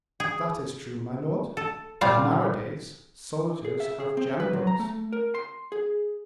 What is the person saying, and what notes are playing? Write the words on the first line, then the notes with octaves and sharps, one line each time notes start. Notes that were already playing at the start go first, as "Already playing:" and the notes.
"That is true, my lord, but nowadays soldiers have generals."
G#4
A4
A#2 G3 F4 F5
G#4
E5
G#4
C4
B4
F#3
A#5
A3
A#4
C6
G#4